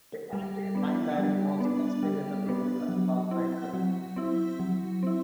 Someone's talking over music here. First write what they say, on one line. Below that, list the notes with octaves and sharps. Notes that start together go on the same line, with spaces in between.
Fine dining was and still is available at the Gaslight Restaurant.
G3
B3 D4
G3
B3 D4
G3
B3 D4
F#3
C4 E4
F#3
C4 E4
F#3
C4 E4